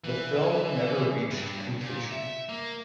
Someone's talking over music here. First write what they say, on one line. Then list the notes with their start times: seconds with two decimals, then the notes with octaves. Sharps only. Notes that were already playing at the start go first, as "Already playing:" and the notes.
The film never reached completion.
0.04 E3
1.30 G2
1.81 A#2
2.11 E5
2.49 A#3